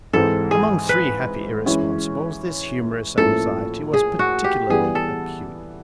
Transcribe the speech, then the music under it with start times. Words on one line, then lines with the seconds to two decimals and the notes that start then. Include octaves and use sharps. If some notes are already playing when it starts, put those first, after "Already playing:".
Among three happy irresponsibles this humorous anxiety was particularly acute.
0.13 G#2 E3 G#3 C4 A4
0.51 G#4
0.89 B4
1.66 E3 G#3 C#4 E4
3.17 A2 F3 A#3 C#4 E4 A4
3.93 G#4
4.19 F#4
4.44 G4
4.69 E3 G3 B3 G#4
4.95 A4